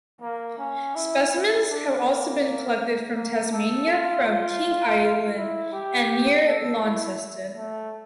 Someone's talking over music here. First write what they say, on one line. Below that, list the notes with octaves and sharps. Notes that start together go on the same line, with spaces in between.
Specimens have also been collected from Tasmania from King Island and near Launceston.
A#3
C#4
E4
E4
D4
A#3
A#3
A4
F4
F4
E4
G4
A4
E4
A3